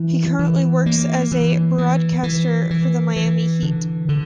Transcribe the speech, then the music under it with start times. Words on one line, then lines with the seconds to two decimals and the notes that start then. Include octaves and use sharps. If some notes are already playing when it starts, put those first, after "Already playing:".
He currently works as a broadcaster for the Miami Heat.
Already playing: E3
0.39 E3
0.86 A#3
1.32 E3
1.78 E3
2.23 E3
2.70 E3
3.16 E3
3.63 D3
4.09 D3